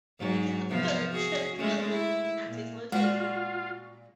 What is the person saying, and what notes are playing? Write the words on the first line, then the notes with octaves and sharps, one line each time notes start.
It is the third church building at this location.
G#2 F#3
C3 F3 B3
F#4 G#4
G#3 A3 C#4
E4
A#2
A#2 G3 G#3 F4 F#4